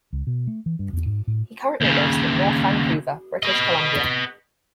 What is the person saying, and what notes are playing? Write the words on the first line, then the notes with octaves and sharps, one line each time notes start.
He currently lives in North Vancouver, British Columbia.
C#2
B2
A3
E3
G2
E2
G#2
A2
D#2 C#3
B4 D#5